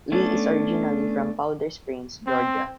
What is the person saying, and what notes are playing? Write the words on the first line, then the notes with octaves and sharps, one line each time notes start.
Lee is originally from Powder Springs, Georgia.
A3 B3 C#4 D4
C4